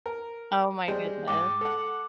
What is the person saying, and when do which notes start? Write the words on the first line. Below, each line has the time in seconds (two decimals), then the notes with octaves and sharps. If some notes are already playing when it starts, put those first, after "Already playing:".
Oh my goodness.
0.06 A#4
0.88 G3 G#3 C5
1.28 G#2 G5 D6
1.61 A4 F#5